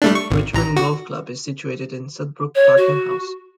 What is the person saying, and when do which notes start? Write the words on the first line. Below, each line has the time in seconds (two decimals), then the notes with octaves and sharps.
Richmond Golf Club is situated in Sudbrook Park and House.
0.02 G3 A3 D4
0.15 C#6
0.30 G#1
0.53 A1 A#5
0.76 F#4
2.55 C#5
2.77 F#4